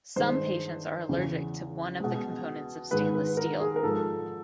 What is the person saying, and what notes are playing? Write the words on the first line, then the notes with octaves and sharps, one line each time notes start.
Some patients are allergic to one of the components of stainless steel.
G2 D#3 G#3 C5
E2 C#3 E3
B2 G#3
G#2 D#3 G#3 B4
B4
A#4
G#4
A#4
G#2 F3 G#3 A4